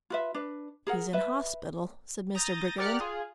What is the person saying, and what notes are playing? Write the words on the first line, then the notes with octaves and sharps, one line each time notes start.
"He's in hospital," said Mr. Briggerland.
F4 B4 E5
D4 B4
G#4 A#4 F#5
B4 E5
A#5 D#6 G6 A6 A#6
G4 A#4 D5 F#5 F6 F#6
F4 G#4